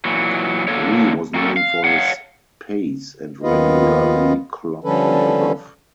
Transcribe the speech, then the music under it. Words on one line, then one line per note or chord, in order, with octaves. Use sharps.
Lee was known for his pace and regularly clocked and above.
A#2 E3 F#3
E2 G#2 D3 A#3 A4 C#5
A#3 C4 F#4 G4 A4
F5
C#5 F5 F#5
D#2 D#3 B3 F4 B4 D#5
D3 F3 G3 C#4 A4 B4